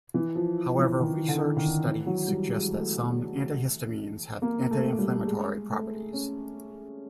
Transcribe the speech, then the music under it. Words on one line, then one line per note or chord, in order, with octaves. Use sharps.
However, research studies suggest that some antihistamines have anti-inflammatory properties.
E3
F3
E3
D#3
D3
D#3
E3
F#3
G3
G#3
A3
A#3
A3
G3
G#3
A3
C#4